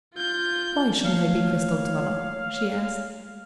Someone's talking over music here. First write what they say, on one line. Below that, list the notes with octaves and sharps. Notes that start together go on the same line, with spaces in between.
"Why shouldn't I be Cristel Toller?" she asked.
F4 G6
A3 A#3 C#5 F5